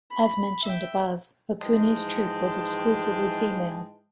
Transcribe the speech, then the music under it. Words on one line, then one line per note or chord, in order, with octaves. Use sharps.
As mentioned above, Okuni's troupe was exclusively female.
B5
E5 G5
G#2 E3 F3 G#3 G5 A5